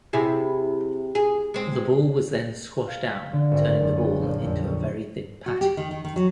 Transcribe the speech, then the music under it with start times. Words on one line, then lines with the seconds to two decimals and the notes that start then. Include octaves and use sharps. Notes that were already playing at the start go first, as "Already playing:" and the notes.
The ball was then squashed down, turning the ball into a very thin patty.
0.13 C3 E4 G#4
1.15 G#4
1.54 G#3 C4
2.88 F5
3.05 B6
3.33 D3
3.52 G#1
3.65 A6
3.80 F#1
3.97 B3
4.22 A#1
4.43 F2
4.67 C#4
5.46 F#4
5.61 G4
5.77 D#3
5.91 D#3
6.04 D#3
6.16 F#3